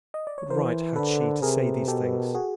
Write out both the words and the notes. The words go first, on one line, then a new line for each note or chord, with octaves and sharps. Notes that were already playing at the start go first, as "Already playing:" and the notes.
What right had she to say these things?
D#5
D5
C#5
E3 A#4 C5
D3 A4 B4
C3 G#4 A#4
B2 G4 A4
F#4 G#4